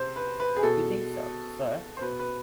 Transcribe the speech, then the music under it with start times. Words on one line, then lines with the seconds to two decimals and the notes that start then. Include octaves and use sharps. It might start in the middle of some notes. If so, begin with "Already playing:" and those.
You think so, sir?
Already playing: C3 C5
0.16 B4
0.40 B4
0.56 G#4
0.63 B2 A4
1.97 C5
2.01 B2 B4
2.19 B4